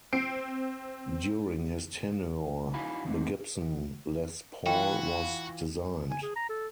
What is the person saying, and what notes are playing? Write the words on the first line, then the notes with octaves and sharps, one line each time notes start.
During his tenure, the Gibson Les Paul was designed.
C4 C7 D7
D#4 E4 F#4 F5 G#5 B5
D#3 G#3 A3 C4 D#4
E3 F4 F#4 F5 G5 B5
G#5
G#4
A#5
A4